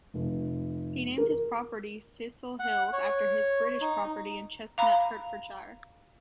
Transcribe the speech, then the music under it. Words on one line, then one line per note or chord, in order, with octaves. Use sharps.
He named his property Cecil Hills after his British property in Chestnut, Hertfordshire.
F1
A#4
F#5
C#5
D#4
F5 A#5 B5